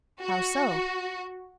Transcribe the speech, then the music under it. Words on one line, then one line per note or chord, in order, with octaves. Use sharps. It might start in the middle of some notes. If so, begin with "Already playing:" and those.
"How so?"
F#4